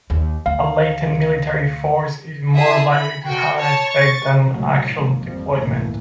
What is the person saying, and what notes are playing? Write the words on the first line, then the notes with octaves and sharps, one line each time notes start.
A latent military force is more likely to have an effect than actual deployment.
D#2
D2 F5
E4 G#4 E5 A5 D#6 C7
B5
F#4 G5
C#5 A5
C#6 A6
C2 A#2 C#3 F#3 G#3 A3
G#1 F#2 D#3 F3 A#3
F2 F3 G3
G1 C#2 A2 E3 A3 A#3